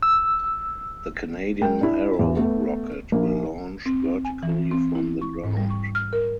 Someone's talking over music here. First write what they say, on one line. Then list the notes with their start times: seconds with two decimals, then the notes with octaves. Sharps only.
The Canadian Arrow rocket will launch vertically from the ground.
0.03 E6
1.61 G#3 A#4 G5
1.81 D4 E4
2.19 E2
2.37 A3 B3
3.12 A#1 A#3
3.86 C4
4.05 C4
4.25 G#5
4.43 E3
4.71 C4
4.95 E4
5.21 C#6
5.44 G#2
5.57 G3
5.70 C#6
5.95 F6
6.13 A#4